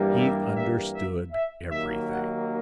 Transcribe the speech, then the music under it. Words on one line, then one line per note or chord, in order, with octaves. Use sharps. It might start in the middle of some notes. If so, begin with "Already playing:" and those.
He understood everything.
Already playing: G2 E3 G3 A#3
E5
E5
E5
E5
D#2 D#3 F#3 A#3 E5
F#5